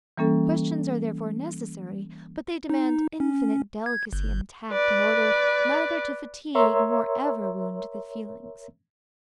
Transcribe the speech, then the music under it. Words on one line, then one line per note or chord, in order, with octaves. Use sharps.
Questions are therefore necessary, but they demand infinite delicacy and tact, in order neither to fatigue nor ever wound the feelings.
E3 G3 A#3 C#4 A4
D#4
C#4
G#6
G1
B4 D5
A#4 C#5 E5 A#5 C6 E6